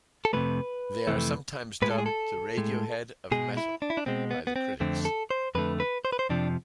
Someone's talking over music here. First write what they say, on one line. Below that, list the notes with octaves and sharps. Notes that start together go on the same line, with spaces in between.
They are sometimes dubbed "the Radiohead of metal" by critics.
A4
F2 C3 E3 A3 B4
F2 C3 E3 A3
A2 G#3 B4
A4
G#4
A4
A2 G#3
B2 G#3 G#4
E4
D4
E4
D4
B2 G#3 C4
B3
B3
C4
F2 D3 A3 C4
A4
C5
F2 D3 A3 B4
B4
C5
B4
C5
F2 C3 F3 D4